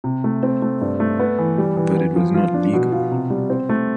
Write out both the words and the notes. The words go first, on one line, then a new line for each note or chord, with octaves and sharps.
But it was not legal.
C3
A3
C4
A3
G2
A3
B3
E3
G3
E3
B3
F3
F4
D4
B2
F4
C3
G3
C4
A3